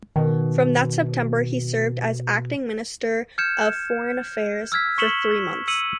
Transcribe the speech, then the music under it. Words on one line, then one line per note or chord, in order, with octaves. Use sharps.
From that September he served as acting Minister of Foreign Affairs for three months.
B2 D#3
F6 G6 G#6 C#7 E7
E6 F6 G#6 B6
C#6 B6 C#7 E7 F#7 G7
E6 C#7 D#7 F#7